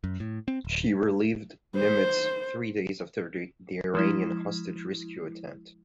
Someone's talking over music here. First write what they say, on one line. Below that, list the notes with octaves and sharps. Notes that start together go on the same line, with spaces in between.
She relieved "Nimitz" three days after the Iranian hostage rescue attempt.
F#2
A2
C4
D1
C5
F3 G#3 E4